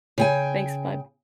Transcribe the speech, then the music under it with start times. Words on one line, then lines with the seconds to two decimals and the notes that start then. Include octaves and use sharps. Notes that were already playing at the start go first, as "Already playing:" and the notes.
Mm, thanks, bud.
0.18 C#3 G5 G#5